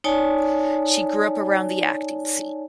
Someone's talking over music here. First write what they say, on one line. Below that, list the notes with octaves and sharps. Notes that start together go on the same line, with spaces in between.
She grew up around the acting scene.
D#4 C#5 D5 G#5 A5